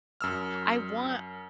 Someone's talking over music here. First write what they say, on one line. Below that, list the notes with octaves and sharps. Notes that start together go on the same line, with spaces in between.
I want
F#2 E6 F6